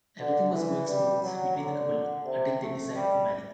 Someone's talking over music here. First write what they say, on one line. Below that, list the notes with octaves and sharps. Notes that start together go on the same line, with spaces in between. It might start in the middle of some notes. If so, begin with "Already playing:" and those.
Everything was going smooth between the couple until they decide to marry.
D3
E3
G3
F#3
D3
C3
A3
G3